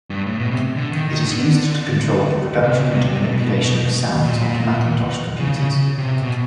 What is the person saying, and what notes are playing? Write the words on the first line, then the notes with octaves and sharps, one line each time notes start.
It is used to control the production and manipulation of sounds on Macintosh computers.
G2
A2
B2
C3
D3
D#3
D#3
D3
C3
C#3
C3
C3
B2
A#2
C#3
C#3
C#3
C3
B2